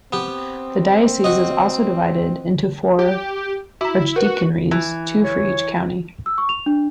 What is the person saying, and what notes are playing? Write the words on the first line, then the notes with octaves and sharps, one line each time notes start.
The diocese is also divided into four archdeaconries, two for each county.
B3 C4 G4
F#4 D#5
G4
E4 F#4 A#5
F#4 A#4 B4 F#5
E3
C#5
E6
C#6
F7
D4